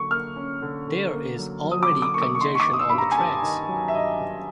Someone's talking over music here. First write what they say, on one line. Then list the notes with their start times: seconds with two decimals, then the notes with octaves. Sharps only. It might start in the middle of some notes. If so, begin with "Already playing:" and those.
There is already congestion on the tracks.
Already playing: D3 F#3 A#3 C#6
0.11 A#3 F6
0.36 C#4
0.62 D3
0.88 D3
1.12 A#3
1.39 F#3
1.63 F#3
1.71 D#6
1.83 D6
1.90 D3
2.02 D6
2.14 A#3 C#6
2.22 D6
2.35 C#6
2.41 D#3 C6
2.55 C#6
2.60 D6
2.67 G2
2.74 D#6
2.79 E6
2.90 G2 B5
2.98 A#5
3.12 G#5
3.18 G2 A5
3.42 D#3
3.68 F#3
3.88 E5
3.94 G2 D#5
4.20 G2